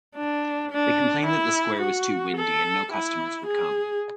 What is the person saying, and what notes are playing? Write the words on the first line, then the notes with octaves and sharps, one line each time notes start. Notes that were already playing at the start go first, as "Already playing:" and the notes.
They complained that the square was too windy and no customers would come.
D4
D4
E4
F#4
A4
E4
G#4